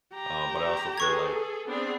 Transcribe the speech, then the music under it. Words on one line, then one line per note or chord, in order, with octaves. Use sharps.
Um, but I also feel like
G4 A#5
G#4 A4 B4 C#6 G#6
B3 C4 D4 G#4